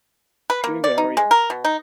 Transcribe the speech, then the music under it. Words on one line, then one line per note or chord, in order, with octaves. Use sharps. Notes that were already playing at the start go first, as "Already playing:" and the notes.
Doing good, how are you?
B4
A#3
D5
D#4
G#3
A#4
B2
D#4